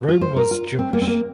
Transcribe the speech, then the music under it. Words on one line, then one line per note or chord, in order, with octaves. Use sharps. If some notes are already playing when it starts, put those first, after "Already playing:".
Rome was Jewish.
F4
C5
A#4
F4
C4
A#3
C4
A#3